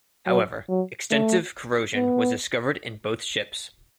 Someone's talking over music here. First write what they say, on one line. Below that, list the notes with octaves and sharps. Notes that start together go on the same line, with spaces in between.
However, extensive corrosion was discovered in both ships.
F#3
F#3
A3
B3